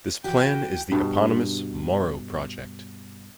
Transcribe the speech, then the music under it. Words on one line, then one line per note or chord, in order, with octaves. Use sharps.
This plan is the eponymous "Morrow Project".
E3 F#4 G4 G5
G2 B2